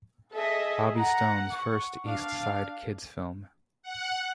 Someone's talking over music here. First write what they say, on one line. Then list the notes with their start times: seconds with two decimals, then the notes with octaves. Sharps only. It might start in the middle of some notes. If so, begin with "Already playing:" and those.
Bobby Stone's first East Side Kids film.
0.34 G#4 A4 D#5 E5
0.96 F#5 A#5
1.52 C#6
2.06 D4 F5
3.83 F#5